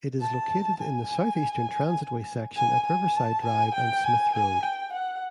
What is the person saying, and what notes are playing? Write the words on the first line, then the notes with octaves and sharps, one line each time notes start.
It is located in the south-eastern transitway section at Riverside Drive and Smyth Road.
A5
G#5
G#5
G#5
A5
G#5
G5
G#5
G#5
G5
F#5